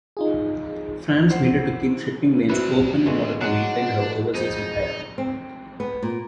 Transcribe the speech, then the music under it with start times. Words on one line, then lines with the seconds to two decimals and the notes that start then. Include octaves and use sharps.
France needed to keep shipping lanes open in order to maintain her overseas empire.
0.17 D#4 F4 G#4
1.30 E4 C5 F#5
2.50 D2 B2 F#3 C4 E4 B4
3.06 D3 E3 G#3 A3
3.41 F#3 G#3 D4 F#5 F#6 C#7 E7
4.35 F2 D#4 G#4 C5
5.18 C4
5.80 B3
6.03 A#2